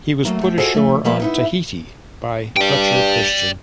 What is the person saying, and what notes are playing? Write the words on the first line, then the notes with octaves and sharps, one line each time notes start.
He was put ashore on Tahiti by Fletcher Christian.
F#3 A3 A#3
A3 G5
F4 F#4 G#4 A4 C5 D#5
F3 A3
F3 G3 A#3 B4 E5
B3 D#4 E4
G2 D5 G5